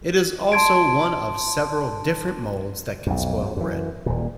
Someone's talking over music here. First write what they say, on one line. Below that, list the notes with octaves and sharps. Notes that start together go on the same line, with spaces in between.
It is also one of several different moulds that can spoil bread.
A5 C6 G#6 D7
B1 F2
F#2
F#2 E3
D#1 A#2